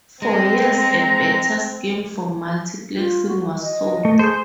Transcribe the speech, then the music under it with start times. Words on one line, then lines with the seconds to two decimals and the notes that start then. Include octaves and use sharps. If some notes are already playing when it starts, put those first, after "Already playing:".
For years a better scheme for multiplexing was sought.
0.22 G#3 C4 A#5
2.95 F4
3.27 F#4
3.62 D#5
4.05 A3
4.19 G#4 C5 G6